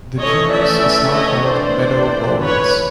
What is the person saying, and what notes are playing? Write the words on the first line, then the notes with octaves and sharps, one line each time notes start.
The genus is also called "meadow voles".
E3 A3 C#4 C#5 D#5
D5 E5
C#5 D#5
E3 A3 D4 C5 D5
B4 C#5